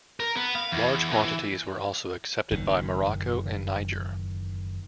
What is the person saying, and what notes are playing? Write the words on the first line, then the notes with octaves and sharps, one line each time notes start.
Large quantities were also accepted by Morocco and Niger.
A#4
B3
F5
E2
E3
F#1 E2 B2 D#3